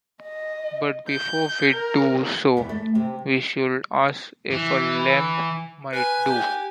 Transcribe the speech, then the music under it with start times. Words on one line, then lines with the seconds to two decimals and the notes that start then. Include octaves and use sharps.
But before we do so we should ask if a lamb might do.
0.21 D#5
1.10 G6
1.73 A#4
2.57 E2 B3
2.69 A3
2.95 C3
4.51 E3
5.93 B4 G#5
6.30 G4